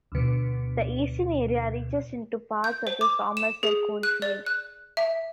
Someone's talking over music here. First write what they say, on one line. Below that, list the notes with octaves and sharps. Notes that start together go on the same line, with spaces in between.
The eastern area reaches into parts of the Somerset Coalfield.
D2 B2
G6
C5
D6
E7
G#4
F#6
D5
F#6
E5